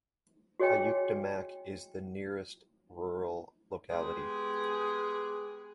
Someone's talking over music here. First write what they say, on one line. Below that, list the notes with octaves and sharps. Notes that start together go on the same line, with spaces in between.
Kuyuktamak is the nearest rural locality.
F#4 G#4 C#5 D#5 G5 G#5
G#3 B3 G4 G#4